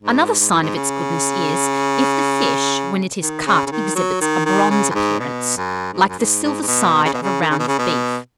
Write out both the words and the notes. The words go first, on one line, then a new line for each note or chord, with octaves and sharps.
Another sign of its goodness is, if the fish, when it is cut, exhibits a bronze appearance, like the silver side of a round of beef.
G#2
G#2
F#2
G#2
C#3
D#3
C#3
C#3
D#3
F#3
D#3
D#3
C#3
F#2
G#2
B2
F#2
G#2
F#2
G#2
G#2
G#2
B2
C#3
B2
C#3
D#3
C#3
B2
C#3
B2